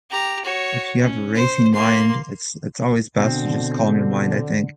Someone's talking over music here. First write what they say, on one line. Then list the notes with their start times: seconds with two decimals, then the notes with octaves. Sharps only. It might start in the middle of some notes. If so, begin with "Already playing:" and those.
if you have a racing mind, it's it's always best to just calm your mind, I think,
0.10 G4 A#5
0.45 F#4 C#5
1.01 C#4
1.35 C5
1.74 A#3 C6
3.19 B2 D3 C4